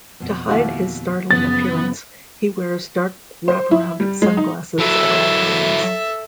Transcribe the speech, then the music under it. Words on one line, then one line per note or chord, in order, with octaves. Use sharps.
To hide his startling appearance, he wears dark wrap-around sunglasses at all times.
F2 B2
D#2 E4 F#4
F#2 C#3 F3 B3 A6
C5
E4
G3
G#3
D#4
F#3 E4 A4 E5